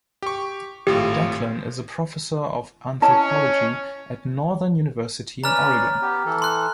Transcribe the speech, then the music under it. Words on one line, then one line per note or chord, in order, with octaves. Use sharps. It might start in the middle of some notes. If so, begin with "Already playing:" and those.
Declan is a Professor of Anthropology at Northern University in Oregon.
G4 C#6
G#1 A2 F4 G4
C#4 E4 C#5 D#5 A5
C#4 B4 D5 A#5 F6
B3 G4
E3 A4
C6 F#6